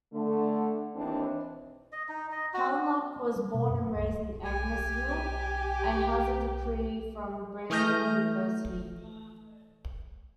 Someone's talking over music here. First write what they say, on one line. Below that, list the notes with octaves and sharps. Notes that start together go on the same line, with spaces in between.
Kalynuk was born and raised in Angusville, and has a degree from Brandon University.
D3 A3
D#2 E3 C4 D4
D#5
D#4
D#5
F#4
C4
G3
B2
F#2
C2
B1 G4 G#5
E3 A3 D#6 F6 G6 A#6